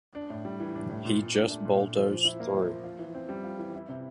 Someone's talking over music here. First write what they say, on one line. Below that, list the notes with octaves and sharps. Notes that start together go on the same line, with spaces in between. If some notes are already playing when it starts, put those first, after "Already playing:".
He just bulldozed through.
D4
A2
G3
E3
D4
A2
A#2
A#2
D4
A3
A#2
A#2
F3
F3
E4
A#3
F3
F3
F4
E3
C4
G3
F4
E3
E4
C3